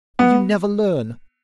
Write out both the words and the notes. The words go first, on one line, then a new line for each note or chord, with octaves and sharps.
Will you never learn?
B3